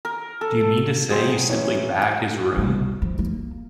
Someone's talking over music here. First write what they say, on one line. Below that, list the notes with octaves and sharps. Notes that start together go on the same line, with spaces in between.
Do you mean to say you simply bagged his room?
A#4
A4
F#3 C4 G#4 C5
E3 C#4 C#5
G3 B3
F3
A#3